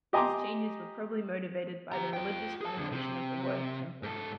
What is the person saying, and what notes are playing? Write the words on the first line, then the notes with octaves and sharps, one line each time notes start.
These changes were probably motivated by the religious connotation of the word "temple".
G4 D#5 G#5 A#5 C6 D6
G4 A#5
F4 G5
G#4 A5
F2 D3
C3
G#2 A4